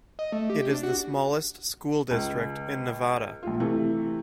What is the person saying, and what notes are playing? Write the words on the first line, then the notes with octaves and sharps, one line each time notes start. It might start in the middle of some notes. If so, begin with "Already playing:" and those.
It is the smallest school district in Nevada.
D#5
A3
G4
D4
F#4
C#2
A#1 F4
C3 E3 A3